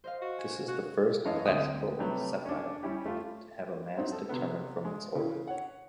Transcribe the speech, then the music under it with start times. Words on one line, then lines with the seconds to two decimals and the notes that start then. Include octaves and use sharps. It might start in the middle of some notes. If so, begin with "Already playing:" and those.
This is the first classical Cepheid to have a mass determined from its orbit.
0.04 C5 D#5 F5
0.22 F#4
0.38 G#5
0.68 F#4 F#6
1.25 F#2 E3 C#5 D#5 F5 A5
1.45 D2 C4 G5 D#6
1.98 C3 F#3 G3 A3 B3
2.45 C#4 D4
2.83 G3 C#4 E4 G4
3.06 A3 F4
3.97 F#3 C4 D#4
4.12 A4
4.29 C3 B3
4.85 G#3
5.15 C#3 E3
5.47 C#5 F#5